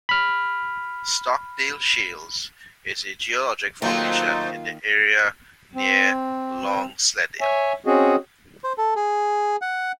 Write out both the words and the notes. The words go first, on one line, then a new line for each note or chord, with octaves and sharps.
The Stockdale Shales is a geologic formation in the area near Longsleddale.
B5 F6
D#3 F#3 A3 A#3 C4 D#4 F4 C5
C4
C#5 E5 G#5
C4 C#4 F#4 G#4 D#5
C5
A4
G#4
F#5